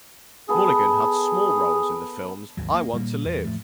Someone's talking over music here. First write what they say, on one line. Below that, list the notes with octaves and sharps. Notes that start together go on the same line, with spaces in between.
Mulligan had small roles in the films I Want to Live!
B3 G#4 A4
G#1 D#2 F#3
A#3
A#2 G3 A#3
E2
A2 F3 A3